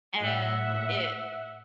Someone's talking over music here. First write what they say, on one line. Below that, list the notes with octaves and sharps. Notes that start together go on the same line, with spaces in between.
and it
A2 E5 F#5